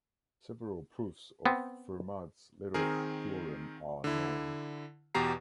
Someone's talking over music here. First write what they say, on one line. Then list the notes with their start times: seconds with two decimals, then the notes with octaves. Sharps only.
Several proofs of Fermat's little theorem are known.
1.46 B3 C4
2.74 D#3 C4 G#4 A#4
4.04 D3 E4
5.14 E2 B2 G4 A#5 C7